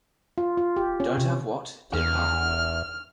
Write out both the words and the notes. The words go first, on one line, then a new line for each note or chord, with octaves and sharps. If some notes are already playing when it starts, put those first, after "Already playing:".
Don't have what, dear Pa?
F4
F4
G4
C#4
C3
E2 F6